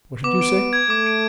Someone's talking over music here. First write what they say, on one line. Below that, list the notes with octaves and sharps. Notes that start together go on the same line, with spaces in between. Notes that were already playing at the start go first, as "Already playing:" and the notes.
"What did you say?"
B3 D6
D7
D6
G#6
A3 D6
D7